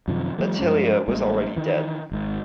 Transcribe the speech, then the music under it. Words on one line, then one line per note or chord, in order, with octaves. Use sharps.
Attilia was already dead.
F#2 C3 D#3 F3
E3 F#3 G#3 A#3
G2 F3 G#3 C#4
A1 G3 G#3 A#3
D#3 E3
G#1 G#2